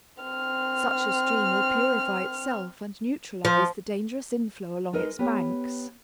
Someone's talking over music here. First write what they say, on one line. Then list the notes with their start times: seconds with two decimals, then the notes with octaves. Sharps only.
Such a stream will purify itself and neutralize the dangerous inflow along its banks.
0.23 C4 F6
3.45 F3
4.93 G#3 D#4 A#4 B4 D#5
5.19 B3 G4 C#5